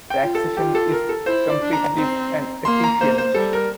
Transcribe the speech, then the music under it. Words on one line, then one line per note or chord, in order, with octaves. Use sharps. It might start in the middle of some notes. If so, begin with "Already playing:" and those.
Taxation is competitive and efficient.
G5
F4
A4
F4 G4
A4
A#4
A4
E4 C5
D5
D4
A#5
C4
A#3 C6
A#5
A#3 C5
C5
G3 A4
A#4